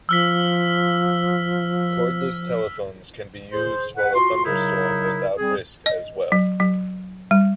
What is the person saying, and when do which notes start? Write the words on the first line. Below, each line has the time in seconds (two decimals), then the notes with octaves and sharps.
Cordless telephones can be used while a thunderstorm without risk as well.
0.09 F3 E6 F6 B6
3.52 G#4 C5
3.96 B4 F#5
4.15 F4 F#4 C6
4.45 C#3 F#3 D#4 E4 A#4
5.38 G3 C4 G#4
5.86 D#5
6.32 F#3
6.60 F#3
7.31 G3